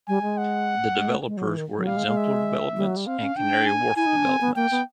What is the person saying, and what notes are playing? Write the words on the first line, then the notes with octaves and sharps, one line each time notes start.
The developers were Exemplar Developments and Canary Wharf Developments.
G3 G#5
G#3
F#5
G#3
A3
G#3
F#3
E3
D#3
F#3
G3 F5
G#3
G#3
E5
G3
F#3
G3
C4 F5
C#4
D4 G5
G#5
E4 G#5
D#4
D4
C4
B3
A#3 G5
B3